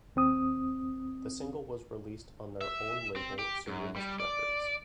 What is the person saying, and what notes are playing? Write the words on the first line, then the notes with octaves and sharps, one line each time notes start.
The single was released on their own label, Surrealist Records.
D#2 C4 D#6
E5
C4
G4
F#2
G3
D5